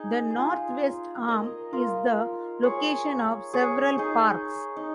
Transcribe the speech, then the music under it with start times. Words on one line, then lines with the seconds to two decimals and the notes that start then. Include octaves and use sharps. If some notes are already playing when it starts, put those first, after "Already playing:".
The Northwest Arm is the location of several parks.
Already playing: D#4 G#4
0.30 G#4
0.38 F4
1.28 A#4 D#5
1.73 F4 A#4
2.63 G#4 C#5
3.53 G#4 C#5
3.98 D#4 G#4
4.77 D#4